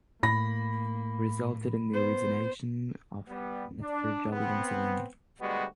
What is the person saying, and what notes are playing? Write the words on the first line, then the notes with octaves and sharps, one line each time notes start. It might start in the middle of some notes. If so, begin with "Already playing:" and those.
It resulted in the resignation of health minister Julio Mazzoleni.
A2 A#3 B5 A#6
B3 C5
G3 B3
D4
B3 C4
D2 G3 G#3 B3 F#4